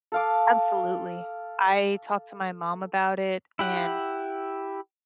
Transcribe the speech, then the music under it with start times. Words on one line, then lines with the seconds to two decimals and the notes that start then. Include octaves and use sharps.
Absolutely. I talked to my mom about it, and
0.12 A4 F5 D6
3.59 E4 G4 F#5